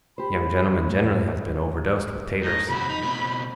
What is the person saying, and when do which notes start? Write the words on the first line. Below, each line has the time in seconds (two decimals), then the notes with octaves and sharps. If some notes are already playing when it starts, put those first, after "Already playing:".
'Young gentlemen generally has been overdosed with taters.'
0.18 G4 C5 B5
0.46 C4
0.87 A2
2.43 A2 D#4
2.69 C3 F3 F#4 B5
2.89 D#4
3.03 B2 A3 C4